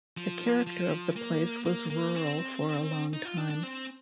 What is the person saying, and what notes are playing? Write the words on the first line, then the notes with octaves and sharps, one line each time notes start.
The character of the place was rural for a long time.
F3
F3
A#3
A#3
A#3
C4
D#4
F4
D4
D4
C4